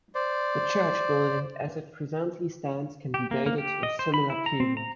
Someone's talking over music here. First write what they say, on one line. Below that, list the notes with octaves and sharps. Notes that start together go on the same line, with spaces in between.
The church building as it presently stands can be dated to a similar period.
C5 D5
G4
A#3
A#3
G4
D#5
C5
B5
E4
A#5
C4
A#5